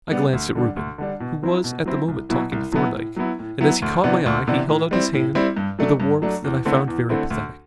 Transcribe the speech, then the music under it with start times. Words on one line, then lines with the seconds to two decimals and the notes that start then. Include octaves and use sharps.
I glanced at Reuben, who was at the moment talking to Thorndyke, and as he caught my eye he held out his hand with a warmth that I found very pathetic.
0.11 G3 B3 D4
0.33 D2
0.55 D3 G3 D4
0.76 D2
0.98 D3 G3 D4
1.20 B2
1.43 F#3 C4 E4
1.64 B2
1.86 F#3 C4 E4
2.08 C2
2.29 B2 F#3 B3 E4
2.52 C2
2.72 B2 F#3 B3 E4
2.95 A2
3.16 F#3 B3 E4
3.39 A2
3.61 F#3 B3 E4
3.82 D2
4.04 C3 E3 B3 D4
4.26 D2
4.47 C3 E3 B3 D4
4.69 A2
4.91 G3 C4 E4
5.13 A2
5.35 G3 C4 E4
5.57 G2
5.79 F#3 A3 D4
6.00 G2
6.22 F#3 A3 D4
6.44 E2
6.65 D3 A3 C4 E4
6.88 E2
7.09 D3 A3 C4 E4
7.30 D2